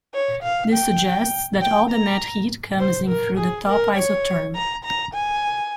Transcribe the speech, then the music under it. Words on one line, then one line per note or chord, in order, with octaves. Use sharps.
This suggests that all the net heat comes in through the top isotherm.
C#5
F5
G5
G5
A#5
C5
A#4
G#4
A#4
C#5
A#5
A#5
G#5